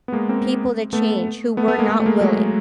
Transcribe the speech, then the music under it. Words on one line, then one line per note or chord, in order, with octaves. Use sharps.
people to change who were not willing
B3
G#3 A#3
A#3 C4
A3 B3
A3 B3
A3 B3
G#3 A#3
A3 B3
A3
G#3 A#3
F#3 G#3